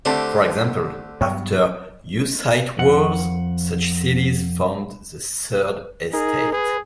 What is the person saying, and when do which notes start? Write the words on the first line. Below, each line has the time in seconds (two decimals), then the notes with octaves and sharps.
For example, after Hussite Wars such cities formed the Third estate.
0.05 D3 A3 C4 G4 C5 D5 A5
1.21 G2 F#3 B3 C#5 G5 C#6
2.79 F2 F#5
6.13 D#4 G#4 A#4
6.52 G#4 B4